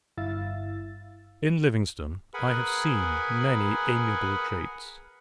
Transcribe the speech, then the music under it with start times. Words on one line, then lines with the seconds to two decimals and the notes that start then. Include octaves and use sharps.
In Livingstone I have seen many amiable traits.
0.18 G1 G2 E4 F5 E6 A6
2.34 G#4 A#4 B4 F#5 G#5 B5